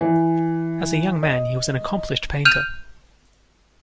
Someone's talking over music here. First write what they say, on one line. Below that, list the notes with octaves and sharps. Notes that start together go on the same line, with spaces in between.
As a young man he was an accomplished painter.
E3
D#5
F6 G6 D#7 F7